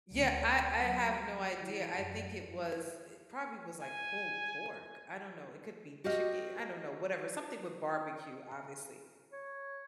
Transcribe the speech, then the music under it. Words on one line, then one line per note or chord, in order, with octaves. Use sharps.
Yeah, I I have no idea, I think it was it probably was, like, pulled pork, I don't know, it could be chicken, I don't know whatever something with barbecue, obviously.
D2
F#3
E3
F#2
G#5
F#4 G4 C#5 D#5 F5
C#5